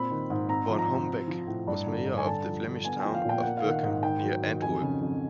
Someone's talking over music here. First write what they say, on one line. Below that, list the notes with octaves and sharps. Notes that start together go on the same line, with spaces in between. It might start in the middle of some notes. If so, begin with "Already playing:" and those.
Van Hombeeck was mayor of the Flemish town of Berchem, near Antwerp.
Already playing: A#2 C4 B5
D#3
G#2
C4 A#5
F3
A#5
C3
C4
F3
A2
G2
D3
G2
G#5
D3 A5
F3
D3
B3 G#5
F3 G5
F5
A#2 G5
A#3 F#5
F5
D#3
F#5
G#2
D#3 G5
F#3
D#3
F2 G#5
C#3
F2